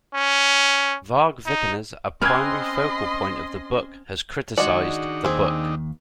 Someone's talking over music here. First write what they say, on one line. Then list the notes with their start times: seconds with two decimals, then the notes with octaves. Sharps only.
Varg Vikernes, a primary focal point of the book, has criticized the book.
0.14 C#4
1.46 D#4
2.22 C4 C#4 B4 D#5 C6 F6 G#6
4.58 D#3 G#3 D4 D#4 F#4 D5
5.24 D#2 C4 G#4